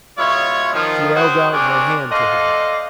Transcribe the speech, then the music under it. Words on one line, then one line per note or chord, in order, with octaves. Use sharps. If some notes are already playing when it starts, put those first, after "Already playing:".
She held out her hand to him.
B2 G#3 E4 F4 C#5
D#3 F3
F#4 G#4 C5 C#5 F#5 G5
C4 D4 G4 G#4 A#4 C#5
A4 C5 D5 D#5 F5 F#5